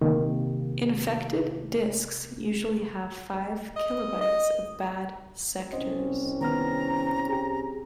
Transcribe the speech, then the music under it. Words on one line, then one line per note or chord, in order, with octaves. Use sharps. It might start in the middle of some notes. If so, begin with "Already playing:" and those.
Infected disks usually have five kilobytes of bad sectors.
C3 D#3 A#3
D#5
D#5
C2 C4 C#4 C5 D#5
D#3 B3 A#5 F6
G4 G#4